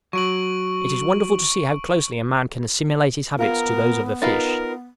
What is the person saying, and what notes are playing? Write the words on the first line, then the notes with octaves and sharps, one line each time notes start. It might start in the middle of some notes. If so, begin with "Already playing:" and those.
It is wonderful to see how closely a man can assimilate his habits to those of a fish.
F#3 C#6 D7 F#7
B3 F4 A#4 F5 A#5
D#4 F4 A#4 B4 A6 A#6 C7